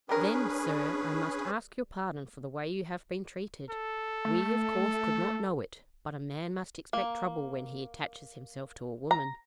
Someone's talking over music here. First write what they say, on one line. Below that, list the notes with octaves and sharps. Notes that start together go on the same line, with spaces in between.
"Then, sir, I must ask your pardon for the way you have been treated. We, of course, could not know it, but a man must expect trouble when he attaches himself to a woman."
G3 C#4 D4 G#4 A#4 B4
A4
A3
A#3
A#5